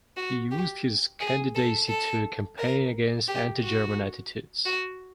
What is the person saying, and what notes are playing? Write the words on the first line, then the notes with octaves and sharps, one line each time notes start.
He used his candidacy to campaign against anti-German attitudes.
F#4
G4
G#4
A4
A4
A#4
G4
F#4
F#4